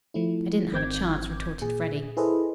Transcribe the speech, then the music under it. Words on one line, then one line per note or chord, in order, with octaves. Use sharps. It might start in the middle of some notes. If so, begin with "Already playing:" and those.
"I didn't have a chance," retorted Freddy.
F3 A3 E4
G#1 D#3 C4 D6 G6 G#6
A#2 G#4
E4 G#4 A4 B4 C5 D#5